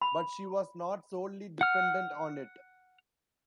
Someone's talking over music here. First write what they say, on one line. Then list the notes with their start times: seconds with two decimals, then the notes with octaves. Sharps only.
But she was not solely dependent on it.
0.02 B5
1.61 F#5 F6